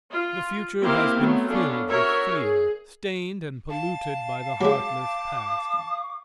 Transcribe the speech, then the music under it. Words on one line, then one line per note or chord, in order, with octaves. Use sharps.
The future has been filled with fear, stained and polluted by the heartless past.
F4
A#3 C4 E4 G4 C5 F5
F#3 A3 B3 C4
B3 C#4 D4 F4 A4
F#4 A#4 C#5 E5
G#4
F5 A5
F#3 G#3 D6